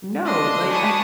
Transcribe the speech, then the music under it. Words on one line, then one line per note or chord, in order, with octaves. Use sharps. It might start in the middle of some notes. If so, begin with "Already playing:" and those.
"No, like, I
D4 D#5 C6
G#5 A5 B5 C#6 D#6